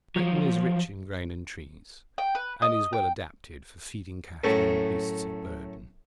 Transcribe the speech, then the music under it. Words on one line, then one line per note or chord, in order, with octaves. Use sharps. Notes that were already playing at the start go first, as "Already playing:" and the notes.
Britain is rich in grain and trees, and is well adapted for feeding cattle and beasts of burden.
F3 F#3
G5
B4
D#5
G5
F#2 A2 A3